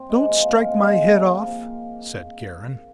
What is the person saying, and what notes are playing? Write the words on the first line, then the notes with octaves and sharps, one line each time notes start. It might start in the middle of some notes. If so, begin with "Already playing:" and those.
"Don't strike my head off!" said Karen.
Already playing: C4
C3 G#3
F3 A#3
C3 G#3
A#3
C3
G#3
D#3
C3 A#3
C3
A#3
F3